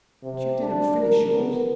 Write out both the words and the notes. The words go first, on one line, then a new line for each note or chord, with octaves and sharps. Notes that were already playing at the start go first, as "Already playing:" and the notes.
But you didn't finish yours.
C3
D4
A#4
B3